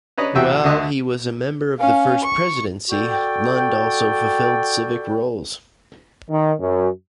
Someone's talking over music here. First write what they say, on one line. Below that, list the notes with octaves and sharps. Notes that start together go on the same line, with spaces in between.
While he was a member of the First Presidency, Lund also fulfilled civic roles.
C#4 D4 B4 D#5 A#5 B5
E2 B2 F#4 E5 G5 E6
D2 D3 D#5 E5 F#6
C#4 F5
C#6
F#4 A4 D5 G5
D#3
F#2